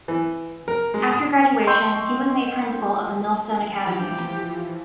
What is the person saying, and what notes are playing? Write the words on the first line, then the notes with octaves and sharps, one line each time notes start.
After graduation, he was made Principal of the Millstone Academy.
E3
A#4
G#3
D#6
D#5 G5 C6 C#6 E6 G6
E3 F3 G4